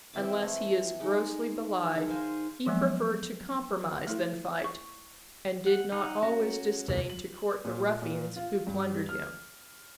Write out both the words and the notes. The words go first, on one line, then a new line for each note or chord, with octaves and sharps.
Unless he is grossly belied, he preferred to compromise than fight, and did not always disdain to court the ruffians who plundered him.
E3 C4 E5 D6
A3
G#3 D#4
D#3 G#3 A5
C5 F5 G#5
F3 F#3 G#3 A#3 B3
A3 E4 A4
C#6
F#5
D#4 F#5
C#4 F#4 A#5
F2 C3 E3 G#3 A#3
F#7
A#2
A#2
F4
G2
F6